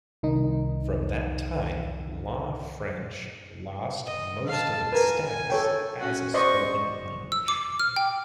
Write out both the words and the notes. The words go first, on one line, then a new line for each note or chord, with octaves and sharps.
From that time, Law French lost most of its status as a spoken language.
C2 D#3 D#4
D#5
F5 A5
A#4 B4 G#5
A4 C#5 G5
C#4 F#4
C5 D5 D#5 C#6
E6
D6
F6
G5